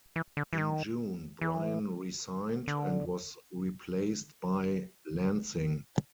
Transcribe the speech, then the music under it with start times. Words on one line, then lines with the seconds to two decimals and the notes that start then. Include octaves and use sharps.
In June Bryan resigned and was replaced by Lansing.
0.16 E3
0.37 D3
0.53 E3
0.58 D#3
1.41 E3
2.68 D3